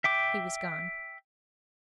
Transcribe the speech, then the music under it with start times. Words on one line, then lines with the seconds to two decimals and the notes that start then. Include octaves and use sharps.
He was gone.
0.04 E5 G5 D6